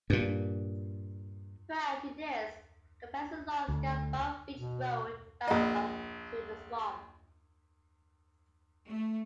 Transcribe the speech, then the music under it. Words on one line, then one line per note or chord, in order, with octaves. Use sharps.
Prior to this, companies along Scarborough Beach Road backed on to the swamp.
G2 A#2
D2
B2
A#1 D#5
A3